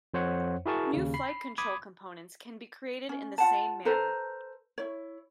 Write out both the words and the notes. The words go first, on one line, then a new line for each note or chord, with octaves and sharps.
New flight control components can be created in the same manner.
F2 C5 C#5 F#5
E4 F#4 G#4 A#4 A5 C#6
D#2 C#3
B5 C7
B5 D6 D#6 G#6
C#4
F4 F#5 A5
A4 B4 C5 A#5
E4 C#5